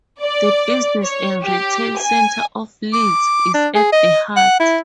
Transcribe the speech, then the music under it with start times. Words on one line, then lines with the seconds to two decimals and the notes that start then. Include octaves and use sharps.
The business and retail centre of Leeds is at the heart.
0.22 D5
1.03 C#5
1.44 G4
2.00 G#5
2.93 D6
3.54 D4
3.75 G#4
3.92 D#5
4.36 F#5
4.60 E4